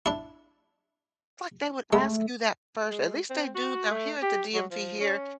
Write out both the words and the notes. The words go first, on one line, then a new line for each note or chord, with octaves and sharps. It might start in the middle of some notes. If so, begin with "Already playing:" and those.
Like, they would ask you that first. At least they do now, here at the DMV here,
D4 E4
G#3 A3
G#3
C4
F#4
A3
G4
F#3
F3
C#4